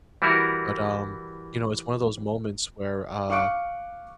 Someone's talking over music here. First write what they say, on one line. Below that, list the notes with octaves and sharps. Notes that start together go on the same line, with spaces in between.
but, um, you know, it's one of those moments where, uh,
E3 G3 E4 F#4 A#4
F5 C#6 D6 F#6 C#7 D7